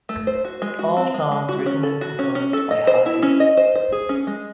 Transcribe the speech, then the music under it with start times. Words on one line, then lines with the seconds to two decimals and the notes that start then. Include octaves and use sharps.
All songs written and composed by Hyde.
0.09 A3
0.27 C5
0.45 F#4
0.62 G#3
0.79 F#4
0.97 C4
1.14 G#3
1.32 G#3
1.49 F#4
1.66 C#4
1.83 A4
2.01 F#4
2.19 C#4
2.35 C#4
2.53 A4
2.71 D#5
2.87 C5
3.06 E4
3.22 C#4
3.40 D#5
3.57 C5
3.75 C5
3.92 G#4
4.09 C#4
4.27 G#3